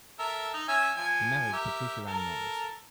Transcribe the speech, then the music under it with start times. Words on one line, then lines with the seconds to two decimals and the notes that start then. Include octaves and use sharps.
He married Patricia Ann Norris.
0.19 A4 A#4 E5
0.53 D#4
0.68 C#4 E5 G#5
0.97 F3 G#5
1.53 G4 A#4 E5
2.07 A4 A#4